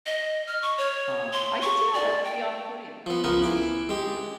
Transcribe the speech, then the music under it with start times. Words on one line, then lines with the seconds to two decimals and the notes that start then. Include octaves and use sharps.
um, I could see how that would be off-putting, though, I mean, you know,
0.06 D#5
0.47 F6
0.62 C#6
0.78 C#5
1.32 C6
1.61 C#6
1.94 D5
2.24 G5
3.06 F3 B3
3.24 C#2 F3 B3 A#4
3.42 E3 D6
3.89 G#3 G4